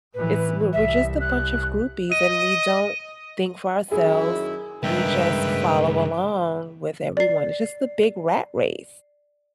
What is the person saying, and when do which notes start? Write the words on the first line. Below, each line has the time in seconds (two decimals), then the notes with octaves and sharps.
it's we're we're just a bunch of groupies, and we don't think for ourselves, we just follow along with everyone, it's just the big rat race.
0.14 A2 E3 B4
0.73 C2 E5
1.21 F#6
2.12 D#5 D#7
3.92 F#2 D#3 E4 G#4
4.83 C#2 G2 D#4 A#4 B4 E5 G5
7.17 D5 C7